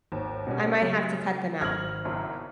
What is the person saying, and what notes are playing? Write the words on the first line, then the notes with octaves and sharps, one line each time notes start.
I might have to cut them out
G#1 D#2
B2 G3 C#4
C#3 F#3 G4
G#1 F6 G#6 A#6 F#7
F#1 B1 F#2